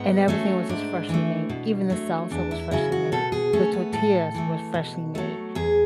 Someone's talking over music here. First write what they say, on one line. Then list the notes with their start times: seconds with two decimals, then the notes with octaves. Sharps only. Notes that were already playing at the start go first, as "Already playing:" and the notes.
and everything was just freshly made. Even the salsa was freshly made, the tortillas were freshly made,
Already playing: G#2 B3
0.28 F#3 A3 C#4
0.69 G#2 D4
1.09 E3 A3
1.49 B2
1.90 F#3 A3
2.31 E2 D4
2.51 E4
2.71 C#3 F#3 E4
2.92 F#4
3.12 B2 A4
3.32 G#4
3.53 A3 C#4
3.73 B3
3.93 A2 A4
4.34 E3 A3
4.74 B2
5.15 F#3 A3
5.55 E2 G#4